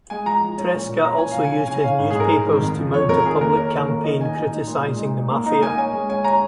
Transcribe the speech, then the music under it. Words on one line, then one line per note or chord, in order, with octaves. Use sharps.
Tresca also used his newspapers to mount a public campaign criticising the Mafia.
G#3 G#5
F3 A#5
F3
C#4
A#2
A#2
C#4 A#5
F3 G#5
C#3 F5
G#5
C#4
C#3 G#5
C#4 F5
G#2
G#4
G#2 A#4
G#2
D#3
F2
F3
F2 C#5
F2 A#4
D#3 G#4
A#3 A#4
C#4 A#4
D#3
A#3 A#4
D#3 D#5
D#4 G#5
D#4
D#4
A#2
G#3
D#4
D#4
A#3
D#4 A#5
A#3 G#5
C#4 G#5
G#3
C#4 G#5
C#4 A#5